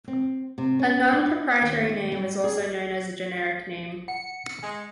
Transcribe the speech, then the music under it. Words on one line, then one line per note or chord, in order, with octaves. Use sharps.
A non-proprietary name is also known as a generic name.
C4
C3
C#4
B3
D#2
D#2
G3
G#4
F#5 C#7
G#3